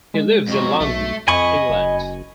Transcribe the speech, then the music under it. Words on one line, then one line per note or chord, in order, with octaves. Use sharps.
He lives in London, England.
G#3
F2 F#3
B1 A3
F2 D#5 G#5 B5 C#6
F#1